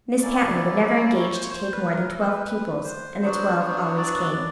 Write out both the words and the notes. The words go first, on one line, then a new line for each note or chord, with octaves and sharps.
Miss Patten would never engage to take more than twelve pupils; and the twelve always came.
A#3 C#4 E4 D5
C#5
D5
C#5
C5
C#5
C5
B4
A#4
A4
C5
B4
B4
C5
F#3 B3 D4 F#4 C5
C#5
C5
C#5
D5